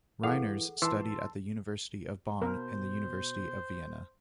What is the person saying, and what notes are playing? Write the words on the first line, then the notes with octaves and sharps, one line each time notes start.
Reiners studied at the University of Bonn and the University of Vienna.
E3 G#4 A4 F5 F#5
E3 A5 C6 E6
B2 A#4 C5